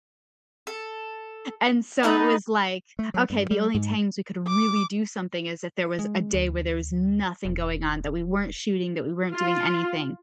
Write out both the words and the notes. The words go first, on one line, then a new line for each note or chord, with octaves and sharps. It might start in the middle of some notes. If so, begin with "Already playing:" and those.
and so, it was like, "Okay, the only times we could really do something is if there was a day where there was nothing going on, that we weren't shooting, that we weren't doing anything."
A4
B3 D#4 B4 A5
A3
F#3
G2
G3
G#2
D6
G#3
D2
E1
F4